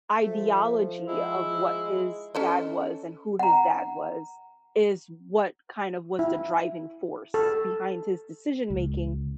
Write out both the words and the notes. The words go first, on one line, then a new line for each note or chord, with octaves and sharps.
ideology of what his dad was and who his dad was, is what kind of was the driving force behind his decision making.
F3 A3
G#3 E4
C#4 A4 D#5
F#5 A#5
E4
A4
C#2